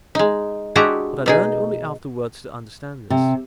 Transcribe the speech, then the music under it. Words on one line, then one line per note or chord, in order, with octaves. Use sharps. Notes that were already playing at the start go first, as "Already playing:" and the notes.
But I learned only afterwards to understand this.
G#3 D#4
G#3 D4 E4 F#4 G4 A#5
B2 D#4 G#4
C3